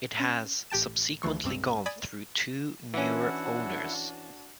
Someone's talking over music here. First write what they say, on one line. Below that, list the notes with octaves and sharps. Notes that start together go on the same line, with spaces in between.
It has subsequently gone through two newer owners.
C#4
A1 G4 G5 A5 E7
D2 E3 F3 C#6
G#1 C#2 G2 C4 D6 E6
D5 G#5 B5 D#6 G#6
E3 C#4 D4 E4 F#4 F#5